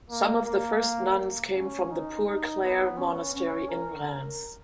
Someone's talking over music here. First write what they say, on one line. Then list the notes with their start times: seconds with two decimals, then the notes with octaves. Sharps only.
Some of the first nuns came from the Poor Clare monastery in Reims.
0.11 A#3
0.46 A#3
1.54 C#4
1.90 D#4
2.25 D#4
2.63 B3
2.97 C#4
3.34 C#4
3.69 A#4